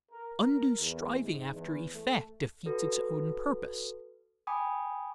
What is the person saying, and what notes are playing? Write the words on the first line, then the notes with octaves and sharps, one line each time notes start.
Undue striving after effect defeats its own purpose.
A#4
A#4
E2
G#2
E2
A3
F#4 A4 B4
G5 G#5 B5 D6 D#6